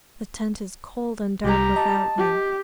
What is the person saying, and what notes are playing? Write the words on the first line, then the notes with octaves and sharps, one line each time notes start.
The tent is cold and dark without you....
C2 G3 G4 A#5
D#5 A5
G4